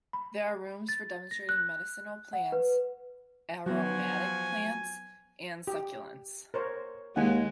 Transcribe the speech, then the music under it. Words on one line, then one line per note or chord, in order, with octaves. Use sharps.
There are rooms for demonstrating medicinal plants, aromatic plants and succulents.
B5
A6
A#6
F#6
F#5
B4
F3 F#3 B3 F#4 G#5
G4
A#4 C5 C#5
D#2 G#3 F#5 G#5